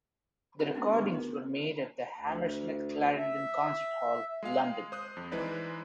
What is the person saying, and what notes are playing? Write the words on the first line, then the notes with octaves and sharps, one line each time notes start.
The recordings were made at the Hammersmith Clarendon concert hall, London.
C4 D4 D#4 G4 A4 A#4
A3 B3 C#4 D4 G4
D3 B3 D#4 F#4 G#4 B4
G#4 A#4
D2
E5
G#3 G#4 F5
C5 D#6 F#6
F2
E3 G#3 D#4 B4 C5 D5